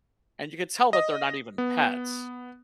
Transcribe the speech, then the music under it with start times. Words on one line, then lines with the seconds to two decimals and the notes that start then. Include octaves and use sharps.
And you could tell that they're not even pets.
0.93 D#5
1.58 B3